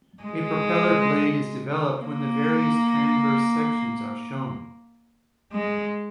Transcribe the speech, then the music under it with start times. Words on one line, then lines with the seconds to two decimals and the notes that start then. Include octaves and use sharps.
A propeller blade is developed when the various transverse sections are shown.
0.23 G#3
1.99 A#3
5.52 G#3